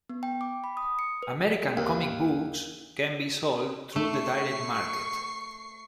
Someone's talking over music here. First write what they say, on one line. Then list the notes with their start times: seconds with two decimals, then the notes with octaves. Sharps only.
American comic books can be sold through the direct market.
0.09 B3
0.23 G5
0.41 D6
0.64 B5
0.77 D#6
0.99 C#7
1.23 B4
1.77 D#2
3.96 A3 C#6 C7